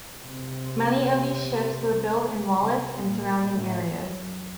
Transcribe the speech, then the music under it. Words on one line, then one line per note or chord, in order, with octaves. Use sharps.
Many of these ships were built in Wallace and surrounding areas.
C3 C4
C3 C4
A#2 A#3
A2 A3
F#2 F#3